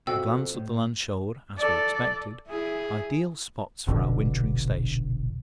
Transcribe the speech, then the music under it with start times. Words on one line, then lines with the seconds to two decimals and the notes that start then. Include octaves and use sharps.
A glance at the land showed, as we expected, ideal spots for our wintering station.
0.07 F2 B2 F#4 F5 G5 E6
0.54 A2
1.57 A4 D5
2.46 E4 G#4
3.87 F1 A#1 B2 D3